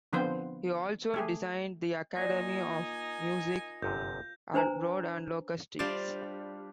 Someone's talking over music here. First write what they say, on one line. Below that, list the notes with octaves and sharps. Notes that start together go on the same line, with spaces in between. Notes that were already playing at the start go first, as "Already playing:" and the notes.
He also designed the Academy of Music at Broad and Locust Streets.
D3 F3 B3 C4 F4 C5
A3 G4 G#4
A#2 D#4 G#5 A#6
G1 F#2 C3 G6
D4 B4 C5 G#5 A#5
G3 D4 F4 C5 D5